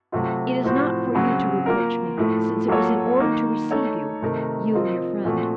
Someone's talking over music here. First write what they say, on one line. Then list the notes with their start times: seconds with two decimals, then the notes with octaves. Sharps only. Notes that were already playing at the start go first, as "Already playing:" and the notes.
"It is not for you to reproach me, since it was in order to receive you, you and your friend."
0.12 C3 F#3 A3 C4 F4
0.64 A2 F3 C4 F#4 C5
1.15 C#3 F#3 C4
1.66 A#3 F4 A#4
2.17 A2 F3 A3
2.68 F#3 A#3 F4 A4 C#5
3.20 D#3 A#3 D#4
3.71 A3 D#4 A4 C#5
4.22 C3 D#3 A3 D#4 A#4
4.73 F3 C4 F4 A#4 D#5
5.24 A#2 F3 A3 C4 F#4